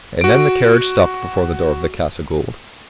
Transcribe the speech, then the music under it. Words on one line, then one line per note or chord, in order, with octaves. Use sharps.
And then the carriage stopped before the door of the Casa Gould.
F#4 D7